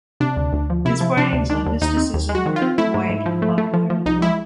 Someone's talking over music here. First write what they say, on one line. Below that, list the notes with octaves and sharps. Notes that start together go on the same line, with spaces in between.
His writings on mysticism were widely popular as well.
C3 D4
D2
D2
F3
C3 E4
F3
C3 D4
D2
D#3 D4
D#2
D#2 D#4
C4
D#2
G#3
F#4
D#3
F4
C4
A3 E4
G#2
G#2
F3
A3
A3
F3
F3
C2 D#4
G#3 E4